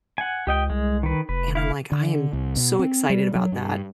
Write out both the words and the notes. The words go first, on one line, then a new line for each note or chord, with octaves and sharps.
and I'm like, "I am so excited about that."
F#5 G#5
C#2 G4 D#5 G5
C2 G#3
D#3 B4
F1 B4
E4 F5
D3
C2
B2
C4
G3
F#3
G2